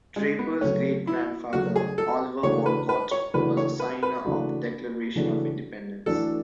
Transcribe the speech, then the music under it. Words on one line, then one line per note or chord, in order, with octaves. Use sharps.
Draper's great-grandfather, Oliver Wolcott, was a signer of the Declaration of Independence.
G#3
B3
C#3 F#3 A3 C#4
E4
C#3 F#3 A3 F#4
G#4
A4
C#3 E3 A3 D4 F#4 C#5
B4
B4
C#5
C#3 E3 A3 D4 F#4 B4
C#5
B4
B4
C#3 E3 A3 D4 F#4
C#3 E3 A3 D4 F#4
E3 A3 D4 F#4 A4